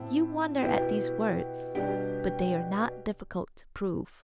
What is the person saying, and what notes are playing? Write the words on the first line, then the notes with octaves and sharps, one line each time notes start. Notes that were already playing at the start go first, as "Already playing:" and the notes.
You wonder at these words, but they are not difficult to prove.
Already playing: A2 C4 E4 A5
B2 B3 E4 G4 G5
B2 G3 B3 D4 G4 G5